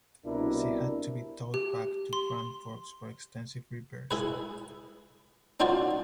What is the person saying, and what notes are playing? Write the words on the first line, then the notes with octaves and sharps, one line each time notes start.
She had to be towed back to Grand Forks for extensive repairs.
C2 B2 D4 E4 A#4
G4
C6
E4 G#4 B4
C#4 D#4 F4 F#4 C5 D5